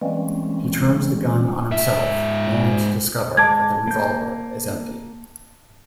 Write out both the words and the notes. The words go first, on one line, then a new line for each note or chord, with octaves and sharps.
He turns the gun on himself, only to discover that the revolver is empty.
E3 G3 G#3 A#3 C4 C#4
G#2 E5
G#3 A5 D6 G#6
A#3 G6